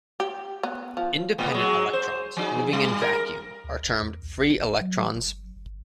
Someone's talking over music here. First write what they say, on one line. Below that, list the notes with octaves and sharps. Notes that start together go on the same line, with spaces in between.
Independent electrons moving in vacuum are termed "free" electrons.
G4
B3
F3
A2 B3
F#3 G#3
C5
F3 D#4 G#4
G3
A#4
D2
F#1
E2
B1
A1
F1
F#3
G1
G1